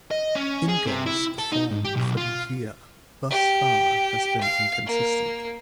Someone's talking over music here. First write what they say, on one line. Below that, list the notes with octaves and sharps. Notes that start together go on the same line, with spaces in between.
Ingall's form for the year thus far has been inconsistent.
D#5
C#4
G#4
C3
E4
A4
D#4
G#2
G4
B1
F4
G4
F5
A#3